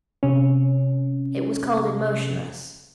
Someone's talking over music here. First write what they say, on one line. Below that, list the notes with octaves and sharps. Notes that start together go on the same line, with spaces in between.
It was cold and motionless.
C3 C#4